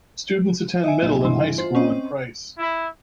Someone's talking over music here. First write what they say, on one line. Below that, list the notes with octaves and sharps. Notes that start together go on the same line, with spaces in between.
Students attend middle and high school in Price.
D#5 E5 G#5
B1 A#2
G1 E3 C6
F4 C5
C4 C#4 C5 D#5
E4